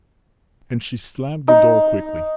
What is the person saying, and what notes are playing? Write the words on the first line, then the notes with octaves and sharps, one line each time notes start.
And she slammed the door quickly.
D#4